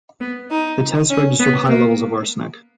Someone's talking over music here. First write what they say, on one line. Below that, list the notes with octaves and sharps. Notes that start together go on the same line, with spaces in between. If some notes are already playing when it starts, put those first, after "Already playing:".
The test registered high levels of arsenic.
B3
D#4
C#4
B3
A#3